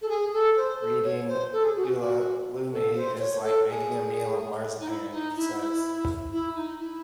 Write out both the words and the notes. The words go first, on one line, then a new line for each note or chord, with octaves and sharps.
"Reading 'Ulalume' is like making a meal of marzipan", he says.
A4
G#4
A4
C5
A4
C#5
C5
A4
G#4
F#4
G#4
F#4
F#4
A4
C5
C#5
A4
G#4
D#4
E4
D#4
E4
E4
E4
D#4
E4